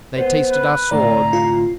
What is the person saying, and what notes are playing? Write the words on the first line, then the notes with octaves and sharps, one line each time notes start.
They tasted our swords.
B3 C5
B4
D2 A2 C3 D5 A#5
F4